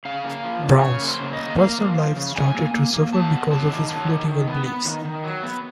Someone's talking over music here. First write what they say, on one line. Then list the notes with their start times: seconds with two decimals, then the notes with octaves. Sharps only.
Brown's personal life started to suffer because of his political beliefs.
0.05 C#3 F5
0.24 A#3
0.44 F3
0.62 C#3
0.81 C#3 C#5
1.01 A#3
1.07 C5
1.20 C#3
1.33 D#5
1.40 A#3
1.59 A#3 F5
1.78 F3
1.97 F3
2.16 C#3
2.35 F#2 G#5
2.55 A#3
2.74 A#3
2.93 A#3
3.13 F#3 A5
3.32 B3
3.51 F#3 A5
3.70 D#3
3.89 F#3 A5
4.08 D#3
4.28 D#3
4.47 B3
4.66 B3
4.85 D#3
5.05 D#3
5.24 F#3
5.43 B3